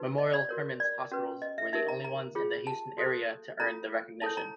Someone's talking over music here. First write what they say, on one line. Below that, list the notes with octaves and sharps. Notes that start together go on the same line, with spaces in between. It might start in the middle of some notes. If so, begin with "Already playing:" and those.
Memorial Hermann's hospitals were the only ones in the Houston-area to earn the recognition.
Already playing: D#4 F#4 B4
D#5
D5
F#4 A#4 C#5
D5
C#4 F#4 B4
D#5
E5
D#4 G4 A#4 E5
A#5
A#5
F4 G#4 C#5
A5
F#4 A4 C5
F4 A4 C#5 A#5
E4 A4 C#5 A5
A#5